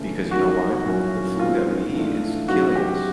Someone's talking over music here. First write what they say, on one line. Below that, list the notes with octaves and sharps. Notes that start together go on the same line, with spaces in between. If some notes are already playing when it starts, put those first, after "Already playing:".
Because you know why? The food that we eat is killing us.
Already playing: C#3 E3 A3 C#4 E4
D#3 G3 A#3 F#4
A#2 F#3 A#3 C#4 E4
D#3 G#3 C4 F4
A2 E3 A3 D4
C#3 F#3 B3 D#4 F#4
G4